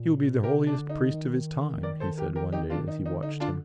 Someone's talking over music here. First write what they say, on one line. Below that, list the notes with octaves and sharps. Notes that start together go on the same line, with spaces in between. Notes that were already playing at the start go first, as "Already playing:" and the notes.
"He will be the holiest priest of his time," he said one day as he watched him.
Already playing: A#2
C3 G4 A#4
D4
D3
D#4
D#3
A#4 D5
A4 C5
G4 A#4
G4 A#4
D#4 G4
D4 F4
D#4
D#4
D3 D#4
D4 F4